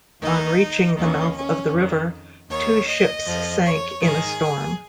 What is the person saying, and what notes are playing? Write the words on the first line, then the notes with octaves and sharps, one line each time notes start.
On reaching the mouth of the river, two ships sank in a storm.
D#2 D#3 D#4
D#2 D#3 C#4
C#4
F2 D#3
D#2 D#3 C#5
D#5
F2 F3
C#5
G#2 D#3 G#4